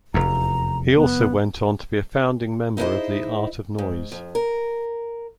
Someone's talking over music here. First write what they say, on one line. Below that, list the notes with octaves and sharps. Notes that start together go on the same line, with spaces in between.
He also went on to be a founding member of the Art of Noise.
F1 E2 A#5
B3
D#4 E4 G#4 A#4 C5 D#5
G#2
F2
A#4